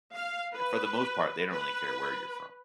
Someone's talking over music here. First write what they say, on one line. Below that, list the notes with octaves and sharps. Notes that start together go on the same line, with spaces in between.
for the most part, they don't really care where you're from.
F5
B4
B4